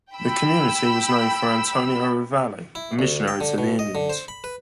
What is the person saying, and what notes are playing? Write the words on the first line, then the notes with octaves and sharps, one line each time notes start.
The community was named for Antonio Ravalli, a missionary to the Indians.
G5 B5 E6
E4
D2
G5
D3
B2
D#5
D3
C5
B5
B4